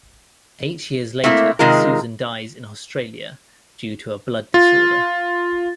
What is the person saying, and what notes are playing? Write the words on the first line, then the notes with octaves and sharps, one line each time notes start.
Eight years later, Susan dies in Australia due to a "blood disorder".
A3 A#3 C4 E4
C3 D#3 G#3 F4 A#4
F4 A6